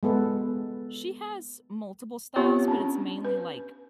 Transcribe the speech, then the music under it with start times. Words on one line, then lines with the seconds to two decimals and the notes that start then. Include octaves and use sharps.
she has multiple styles, but it's mainly, like,
0.03 G#3 B3 A4 B4
2.36 B3 C4 F4 G4 C#5
2.68 C#4 D4
3.25 B4